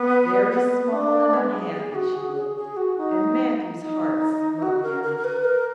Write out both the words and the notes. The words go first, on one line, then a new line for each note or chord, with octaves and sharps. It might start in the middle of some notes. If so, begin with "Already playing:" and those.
Very small and unhappy she looked, and Matthew's heart smote him.
Already playing: B3
B3
D4
B3
G#4
G#4
F#4
G#4
G#4
G#4
F#4
D#4
D#4
F#4
A#4
A#4
A#4
B4
A#4